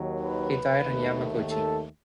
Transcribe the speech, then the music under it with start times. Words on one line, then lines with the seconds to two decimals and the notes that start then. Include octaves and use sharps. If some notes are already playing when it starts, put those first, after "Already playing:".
He died in Yamaguchi.
Already playing: D#2 D#3 F#3
0.22 B4
0.85 D#2 D#3 A3
1.49 A4